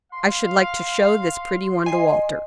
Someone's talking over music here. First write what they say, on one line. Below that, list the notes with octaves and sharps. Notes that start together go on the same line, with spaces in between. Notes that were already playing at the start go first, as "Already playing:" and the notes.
I should like to show this pretty one to Walter.
F5 C6
D#5 G#5 C7